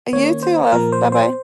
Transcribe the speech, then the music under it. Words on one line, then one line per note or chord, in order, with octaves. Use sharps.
You too, love. Bye-bye.
D#3 A#3 C#4 C#5
C5
A#2 F3 A#3 A#4
C5
C5